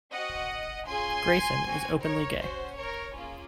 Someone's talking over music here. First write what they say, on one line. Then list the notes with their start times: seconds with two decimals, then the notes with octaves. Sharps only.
Greyson is openly gay.
0.12 C4 F#4 D#5 F#5
0.88 C#4 F4 G#4 G#5 C6
1.64 C4 F#4
2.01 A#4 C#5
2.39 C#4 F#4 C5
2.77 A#4 C#5
3.15 A#3 C#4 F4 G#4